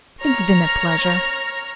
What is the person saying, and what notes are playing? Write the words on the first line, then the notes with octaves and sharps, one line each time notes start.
"It's been a pleasure."
C#5 A#5 F6